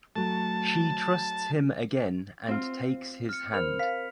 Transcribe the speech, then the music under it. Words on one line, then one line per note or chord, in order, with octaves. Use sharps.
She trusts him again and takes his hand.
F#3 A3 A5
C4 F4
F6 C#7
A#4 C5 B5 F6 F7
F5 B6